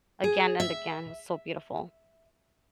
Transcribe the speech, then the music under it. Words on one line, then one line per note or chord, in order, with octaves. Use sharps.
again and again. it was so beautiful.
G#4
E5